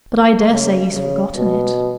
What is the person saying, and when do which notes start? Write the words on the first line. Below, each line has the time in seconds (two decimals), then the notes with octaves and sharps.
"But I dare say he's forgotten it."
0.51 C#3
0.94 C#3
1.36 B2